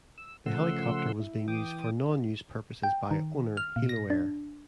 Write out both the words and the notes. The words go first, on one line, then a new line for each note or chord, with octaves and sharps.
The helicopter was being used for non-news purposes by owner Heloair.
E6
C#3 F3 A3 F#5 C6 E6
E4
E3 G5 D6 D#6
G5
D#3
F6
A#2
A#6
D4